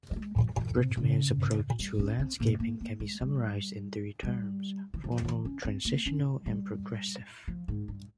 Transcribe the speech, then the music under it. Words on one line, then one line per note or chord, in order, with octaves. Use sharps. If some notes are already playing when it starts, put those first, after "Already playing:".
Bridgeman's approach to landscaping can be summarised in three terms: formal, transitional and progressive.
G3
G#3
F3
E3
C3
C#3
G3
C#4
C4
A#3
A#3
A#3
G#3
G3
G3
E3
F3
E3
C#4
C4
A#3
C#4
G3
F3
G#2
G2